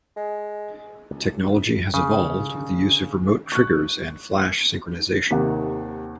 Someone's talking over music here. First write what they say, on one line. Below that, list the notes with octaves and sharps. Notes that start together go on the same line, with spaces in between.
Technology has evolved with the use of remote triggers and flash synchronization.
G#3
C#2
C#3
D3 D#3 C#4
C#6 F#6
D#2 C3 D#3 F#5